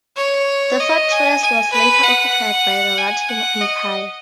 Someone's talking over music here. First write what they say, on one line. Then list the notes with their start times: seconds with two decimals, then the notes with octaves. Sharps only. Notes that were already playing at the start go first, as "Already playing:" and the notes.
The fortress was later occupied by the Latin Empire.
0.16 C#5
0.80 D#5
1.11 G#5
1.42 G#5
1.72 B4
2.03 F#5
2.98 G#5
3.29 F#5
3.61 D#5